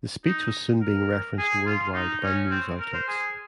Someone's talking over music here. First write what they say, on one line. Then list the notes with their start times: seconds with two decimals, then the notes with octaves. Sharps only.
The speech was soon being referenced worldwide by news outlets.
0.25 D#4
0.81 A#4
1.38 G#4
1.66 F4
1.94 D#4
2.23 C#4
2.51 C4
2.80 A#4
2.94 C5
3.08 G#4